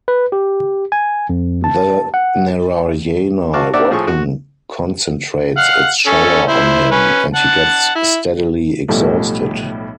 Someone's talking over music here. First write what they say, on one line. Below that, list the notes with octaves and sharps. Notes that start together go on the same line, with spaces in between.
The Narayana weapon concentrates its shower on him, and he gets steadily exhausted.
B4
G4
G#5
F2
A5
F#5
F#4 F5 A5 C#6 D6
A#3 C4 D4 D5 E5 F#5
A2 F3 G#4 A4 C#6
F#4
F5 F#5
C#4 A4
E4 C5
C#4 B4
F#5 A5
E4
B1 A2 F3 G3 A3